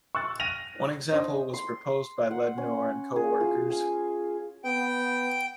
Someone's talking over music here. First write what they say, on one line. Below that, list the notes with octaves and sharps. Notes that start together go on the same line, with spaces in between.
One example was proposed by Lednor and co-workers.
C#6 E6 F#6 A6
F6 A#6 D#7 F7
D4 C5 C#5 D#5
C6
F#5
C#4
G#4
F4
G#5
B3 G5